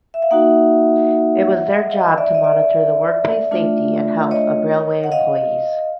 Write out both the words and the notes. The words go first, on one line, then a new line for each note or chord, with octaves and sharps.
It was their job to monitor the workplace safety and health of railway employees.
E5
F5
A#3 D#4 F#4 E5 F#5
D#5 F5
D5 E5
D#5
D5 E5
A3 D4 F4
C#5 D#5
F#5
D#5 F5